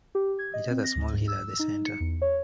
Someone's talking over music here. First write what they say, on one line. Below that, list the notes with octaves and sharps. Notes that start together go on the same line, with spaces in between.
It has a small hill at the center.
G4
G#6
D#5
C4
A#6
D2
G#2
E6
D#4
C#7
E2
C#5